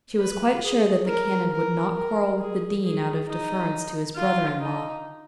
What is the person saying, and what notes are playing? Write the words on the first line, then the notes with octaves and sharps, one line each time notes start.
She was quite sure that the Canon would not quarrel with the Dean out of deference to his brother-in-law.
B4
G#4
A#4
A#4
A#4
G#4
G#4
D#4
F4
D#4